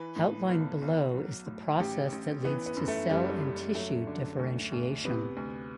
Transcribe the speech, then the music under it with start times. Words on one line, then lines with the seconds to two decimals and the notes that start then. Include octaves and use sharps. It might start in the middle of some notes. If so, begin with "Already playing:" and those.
Outlined below is the process that leads to cell and tissue differentiation.
Already playing: E3 B4
0.16 A2
0.49 B1
0.82 B1
1.14 F#3
1.46 A2
1.80 A1 G4
2.12 A1
2.44 E3 B3
2.66 B3
2.77 F#2
2.88 A3
3.10 F#1 G3
3.42 F#1
3.74 F#3 A3
4.07 D3
4.39 D2
4.72 D2
5.05 C3 B3
5.37 D2